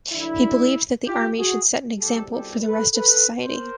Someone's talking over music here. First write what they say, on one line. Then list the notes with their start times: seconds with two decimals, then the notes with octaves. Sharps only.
He believed that the army should set an example for the rest of society.
0.13 G2 D3 F#3 D4 E4
1.06 F4 G4
1.38 F#4 G#4
2.00 C2 B2 G3 G4 A4
2.32 G4 A4
2.63 A4 B4
2.94 A4 B4
3.41 A#4 C5